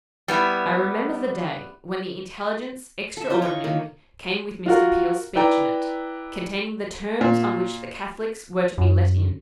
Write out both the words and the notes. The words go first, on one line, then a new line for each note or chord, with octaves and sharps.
I remember the day when the Intelligence Extraordinary came with Mr. Peel's speech in it, containing the terms on which the Catholics were to be let in!
G3 B3 E4
A4 E5
E4 F4 D#5 G5
C#5 G5 C#6
D#3 A#3
F4 F#4 A#4
E4 B4 D5 G5 A#5
A#2
F#2